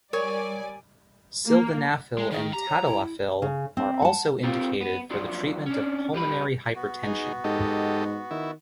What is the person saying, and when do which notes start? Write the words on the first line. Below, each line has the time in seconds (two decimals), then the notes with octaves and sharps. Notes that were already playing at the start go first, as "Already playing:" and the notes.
Sildenafil and tadalafil are also indicated for the treatment of pulmonary hypertension.
0.13 G3 A#4 C#5 D5 G#5
1.47 A#3
2.18 G#3
2.32 D#3 G#4
2.53 G4 A#5
2.68 C#5
2.86 E4
3.42 C#3
3.77 C4
4.02 F#5 A5
4.43 C4 F4 G4 A#4
4.81 B3
5.10 F3 F#3 D4
5.66 C#4 D4
6.13 C2 G4 B4 B5
6.75 B3 F#4
7.04 D#4 G#4
7.44 G#2 G4 A4 D#5
8.31 D#3 E4